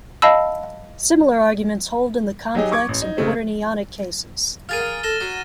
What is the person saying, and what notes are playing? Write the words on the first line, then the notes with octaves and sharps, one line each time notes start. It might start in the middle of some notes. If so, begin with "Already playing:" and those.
Similar arguments hold in the complex and quaternionic cases.
D#5 F5 A5 B5 E6
F#3 D#4 G4 G#4 D#5
C#6 D6 G#6
A1
D#4
C#3 G#3 A3 C4
F4 G#4 A#4 F6 A6 D#7
A4 A#6 E7 G7
F#3